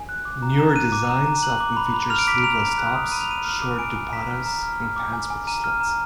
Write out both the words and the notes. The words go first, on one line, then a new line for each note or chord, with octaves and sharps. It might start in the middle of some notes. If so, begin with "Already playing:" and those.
Newer designs often feature sleeveless tops, short dupattas, and pants with slits.
Already playing: G#5
F#6
D6
A#5
A#5
F#6 D#7
D6
A#5
A#5
F#6 F#7
D6
B5
B5
F6 F7
D7
D6 B6
D7
A#5 F7
A#5
F#6
D#6
B5 D#7
F7
B5 D#7
F6
D6
G#5 D7
G#5
A#5 B6
F6
A#5
F6
F6
D6
G#5
G#5
A#5 D#7
F6
A#5